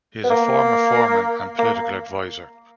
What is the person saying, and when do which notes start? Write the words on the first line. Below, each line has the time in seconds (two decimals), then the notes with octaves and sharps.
He is a former foreman and political advisor.
0.24 B3
0.30 A#3
1.59 A#3